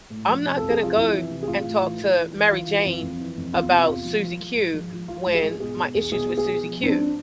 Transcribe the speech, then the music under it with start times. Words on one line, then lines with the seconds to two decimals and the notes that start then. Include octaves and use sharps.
I'm not gonna go and talk to Mary Jane about Susie Q, when my issues with Susie Q
0.10 A2
0.28 F3
0.45 C3
0.57 A4
0.62 F2
0.70 G#4
0.79 C3 F4
0.96 F2 E4
1.14 E3
1.30 C3
1.43 G#4
1.48 A2 F4
1.65 A2
1.82 E3
1.99 E3
2.17 E3
2.34 E3
2.50 E3 F4
2.68 E3
2.86 F2
3.02 F2
3.20 E3
3.37 F2
3.53 E2 F4
3.71 C3
3.88 E2
4.05 F3
4.23 F3
4.40 F3
4.57 G#2
4.74 F3
4.92 F3
5.08 F3 F4
5.26 G#2 F4
5.34 G#4
5.43 G#2
5.60 B2 G#4
5.77 B2
5.94 E2 G#4
6.12 B2 G#4
6.29 B2
6.38 G#4
6.46 B2
6.63 F3
6.80 G#2 C4
6.89 D4